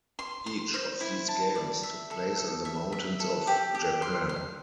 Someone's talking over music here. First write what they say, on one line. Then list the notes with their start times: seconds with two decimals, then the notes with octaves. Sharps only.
Each of these games took place in the mountains of Japan.
0.19 C6
0.46 C6
0.74 C5
1.01 E4
1.28 A5
1.55 D5
1.83 E5
2.11 A4
2.38 A4
2.65 E5
2.92 E5
3.20 A4
3.47 G4
3.75 G4
4.02 C6
4.29 C6